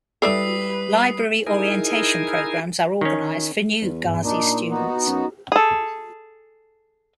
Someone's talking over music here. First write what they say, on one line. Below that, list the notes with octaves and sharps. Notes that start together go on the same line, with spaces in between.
Library orientation programs are organized for new Gazi students.
G3 E4 A4 B4 D5 E5 D#6 C7
D#4 E4 G#4 A#4 G#5
D#3 C#4
E2
A#2 D4 D#4
B3 D#4 F#4
F#2
G#4 A4